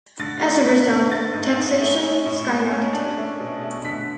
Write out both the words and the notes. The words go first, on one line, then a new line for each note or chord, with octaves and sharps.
As a result, taxation skyrocketed.
D3 A6
A3
D3 B6
D3
A3 A6
G#2
G#2
A3
C#4
A2
G#3
C#4
D4
A3
B2
A3
D3 B6